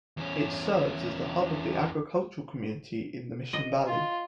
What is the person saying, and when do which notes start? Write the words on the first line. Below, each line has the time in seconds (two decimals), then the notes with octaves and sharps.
It serves as the hub of the agricultural community in the Mission Valley.
0.17 E2 C#4
3.53 D#5
3.88 F4